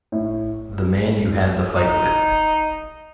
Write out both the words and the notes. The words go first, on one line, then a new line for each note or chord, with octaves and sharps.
The man you had the fight with.
A2
D#4